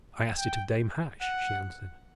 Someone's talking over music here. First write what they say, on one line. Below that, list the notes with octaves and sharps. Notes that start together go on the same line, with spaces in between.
"I asked it of Dame Hatch," she answered.
G5
F#5